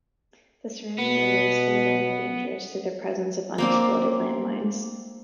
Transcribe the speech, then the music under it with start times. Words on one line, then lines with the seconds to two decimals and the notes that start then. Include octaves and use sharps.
The surrounding area is still rendered dangerous through the presence of unexploded land mines.
0.99 B2 B3
3.58 A#3 C4 D4